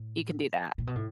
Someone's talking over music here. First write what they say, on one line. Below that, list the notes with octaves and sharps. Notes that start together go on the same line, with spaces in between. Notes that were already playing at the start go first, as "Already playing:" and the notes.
you can do that.
Already playing: A2
A#2
B2
A2